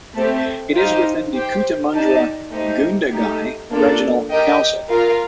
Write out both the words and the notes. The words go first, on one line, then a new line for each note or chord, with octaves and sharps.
It is within the Cootamundra Gundagai Regional Council.
A3 C4 G4
D#4 G4 C5 F5
G4 C5 G5
D#4 G4 D5 A5
A3 D#4 G4 C5
A3 D#4 G4
A#3 D4 F4 A4 D5
G4 A#4 D#5 G5
F4 A#4 F5